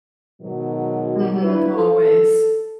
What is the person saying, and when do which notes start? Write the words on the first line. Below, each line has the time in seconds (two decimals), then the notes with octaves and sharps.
Mhm, always.
0.42 G#2 B2 D#3 F#3
1.43 D4 E4 F4 B4
1.76 A4